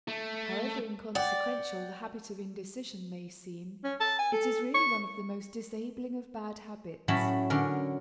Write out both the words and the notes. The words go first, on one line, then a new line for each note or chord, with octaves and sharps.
However inconsequential the habit of indecision may seem, it is really one of the most disabling of bad habits.
A3
D5 F#5 G5
C#4
A5
G#5
A4
C#6
A2 F#3 A3 C#4 A5 B5
D3 C#4 A#4